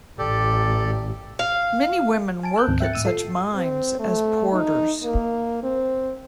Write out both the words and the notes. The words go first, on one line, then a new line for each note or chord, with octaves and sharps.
Many women work at such mines as porters.
A1 G4 A4 D5
F5
G#5 A5 D7
E6 F#6 G6
D2 G#2 D#3 F3 C4
E5 G5 F#6 A6 C#7
A2 E6 D#7
F4 A4 C7
C4
A3
D#4
A#3
C4